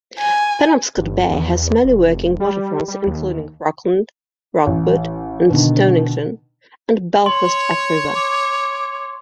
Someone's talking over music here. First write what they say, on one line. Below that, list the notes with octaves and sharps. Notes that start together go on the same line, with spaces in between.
Penobscot Bay has many working waterfronts including Rockland, Rockport, and Stonington, and Belfast upriver.
G#5
G1
E2
F1
G3
G3
D#2
A1
B2 D3 D#3
C#5 C6
D6